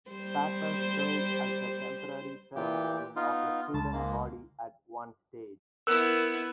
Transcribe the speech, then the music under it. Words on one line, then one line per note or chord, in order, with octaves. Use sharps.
Pappas served as the temporary president of the student body at one stage.
G3 C5
A#2 E3 G4
B3 D#4 F4
C#2 A5
G#2 G#3 A#3
B3 E4 A#4 E6 F#6 E7